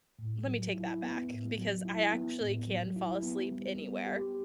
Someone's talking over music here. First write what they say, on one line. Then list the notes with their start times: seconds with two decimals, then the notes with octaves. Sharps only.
let me take that back, because I actually can fall asleep anywhere.
0.19 A2
0.46 F#3
0.75 E4
1.02 B3
1.29 A2
1.58 F#3
1.85 E4
2.12 B3
2.41 A2
2.68 F#3
2.96 E4
3.23 B3
3.51 G3
3.79 B3
4.06 G4